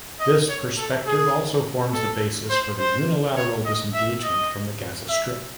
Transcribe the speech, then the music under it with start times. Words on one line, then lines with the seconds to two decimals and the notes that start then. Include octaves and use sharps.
This perspective also forms the basis for the unilateral disengagement from the Gaza Strip.
0.20 D#5
0.49 C#5
0.77 A4
1.06 G#4
1.93 A4
2.50 C5
2.79 C5
3.36 C#5
3.65 D#5
3.94 E5
4.23 D#5
5.09 E5